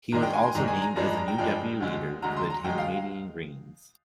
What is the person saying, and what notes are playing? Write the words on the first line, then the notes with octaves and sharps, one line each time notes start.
He was also named as the new deputy leader of the Tasmanian Greens.
G#2 D#3 G#3 D4 A#5
G5
G#5
C6
G#2 D#3 G#3 D4 A#5
G#5
A#5
G2 F3 G#3 D4 A#5
A#5
G5
G2 F3 G#3 D4 G5
D2 D3 G#3
D2 D3 G#3 A#5
C6
A#5
D2 D3 G#3 G5
F5